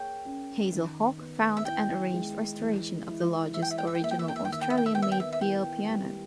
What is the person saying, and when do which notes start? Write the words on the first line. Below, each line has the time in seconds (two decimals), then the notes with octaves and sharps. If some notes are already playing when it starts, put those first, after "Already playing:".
Hazel Hawke found and arranged restoration of The Lodge's original Australian-made Beale Piano.
Already playing: A#3 G#4 C#5 G5
0.25 C#4
0.73 D#3
1.18 B3
1.57 E5
1.65 E4 G5
2.13 G#3
2.60 E3
3.07 E4
3.53 E3 E5
3.62 G5
3.71 E5
3.78 G5
3.87 E5
3.95 G5
4.01 A#3 E5
4.11 G5
4.19 E5
4.28 G5
4.36 E5
4.45 G5
4.47 D#3 E5
4.61 G5
4.70 E5
4.77 G5
4.86 E5
4.94 B3 G5
5.02 E5
5.12 G5
5.20 E5
5.32 E5
5.41 E4 G5
5.88 G3